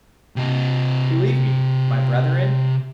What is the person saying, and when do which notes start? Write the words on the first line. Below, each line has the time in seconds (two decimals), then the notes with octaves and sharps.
Believe me, my brethren!
0.36 C3 D#5